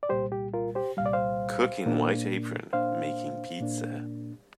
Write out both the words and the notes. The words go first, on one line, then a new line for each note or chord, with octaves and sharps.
Cook in white apron making pizza.
D5
C2 A#2 G3 G4 C5
G4
F4 A#4
G4 C5
C2 A#2 G3 F5
D5
C5 F5
A#2 A#3 D4
A#2 A#3 D4 C5 F5
A#2 A#3 D4